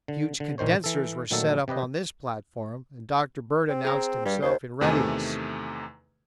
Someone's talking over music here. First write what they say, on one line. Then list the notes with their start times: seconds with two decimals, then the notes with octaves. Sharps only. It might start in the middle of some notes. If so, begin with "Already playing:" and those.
Huge condensers were set up on this platform, and Dr. Bird announced himself in readiness.
0.08 D3
0.40 D3
0.58 A#1 A#2 D#3 C5 C#5
0.84 E3 A4
1.31 A#2 D#3 F#3 A3 A4
1.68 C3 G4 B4 D#5
3.69 C4
3.85 G#4 A#5
4.25 G2 G3
4.43 D#2 C5
4.81 E2 C3 D#3 A3 G#5